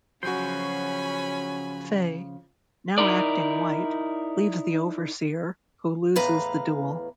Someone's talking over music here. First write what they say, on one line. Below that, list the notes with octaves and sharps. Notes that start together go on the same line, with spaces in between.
Fey, now acting white, leaves the Overseer, who loses the duel.
C#3 F3 F#3 C#4 F#4 C5 G#5 B5
D#4 E4 A#4 D5
E2 A2 B4 F5 A#5